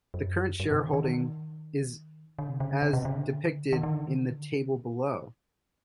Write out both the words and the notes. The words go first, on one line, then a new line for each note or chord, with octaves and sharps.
The current shareholding is as depicted in the table below.
F#2
G2
C3
D#3
D#3
D#3
D3
C3
C#3
D3
C#3
C3
C#3
D3
D#3
D#3
D3
D#3
D3